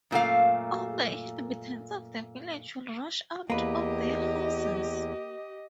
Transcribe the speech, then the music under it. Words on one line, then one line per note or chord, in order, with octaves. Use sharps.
All the inhabitants of the village will rush out of their houses.
F#2 A#2 A3 F5
E2 A#3 G4 B4 D#5